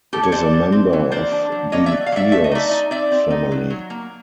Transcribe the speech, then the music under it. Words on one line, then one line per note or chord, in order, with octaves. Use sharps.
It is a member of the Eos family.
A2 G4 A4
C#5
E3 C5 D5
E3
C4
E3
A#3 C5 D5
D4
F#3
A#3 C#5 D#5
D5 E5
F#3
F5
F#3 D5 E5
A3 E5
D#5
D#4 D5 E5
D#4
C4 D5 E5
C4
D#4
F#3
F#3
A#3